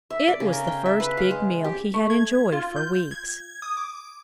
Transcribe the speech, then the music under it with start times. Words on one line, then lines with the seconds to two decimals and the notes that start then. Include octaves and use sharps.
It was the first big meal he had enjoyed for weeks.
0.10 E5
0.28 D5
0.40 C#3
0.53 A#4
0.67 G5
0.86 E5
1.00 B4
1.17 F5
1.31 G#3
1.64 G4
1.94 A3
2.10 G#6
2.52 F4
2.76 G6
3.11 G#6
3.62 D#6
3.77 D6